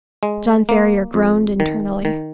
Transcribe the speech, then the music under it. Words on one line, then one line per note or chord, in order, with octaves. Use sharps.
John Ferrier groaned internally.
G#3
A#3
F2
D#3
D#3